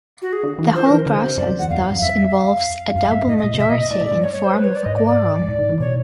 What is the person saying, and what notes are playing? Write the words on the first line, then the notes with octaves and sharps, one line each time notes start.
The whole process thus involves a double majority in form of a quorum.
F#4
G#4
D3
E3
F3 C5
E3 A#4
D3 C5
C3
F#2 D5
F#2
E2 F#5
F2 F5
F#2
G2
F2 E5
F5
G2
F#2 F5
G#2 E5
A2 D#5
D#5
A#2
C3
B2 E5
A#2 D#5
D#5
A2 D5
A2
G2 D5
C#5
C#5
C5
B4
C#5
D5
G#2 D#5
D5
D5
G#2
A2
D#3
E3
B2 C#5